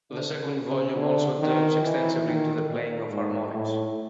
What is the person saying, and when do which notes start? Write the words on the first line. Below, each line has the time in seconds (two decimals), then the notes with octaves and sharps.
The second volume also delves extensively into the playing of harmonics.
0.11 D3
0.39 C#3
0.67 C#3
0.96 D3
1.39 D#3
1.81 E3
2.24 D#3
2.67 A#2
3.10 G#2
3.52 A2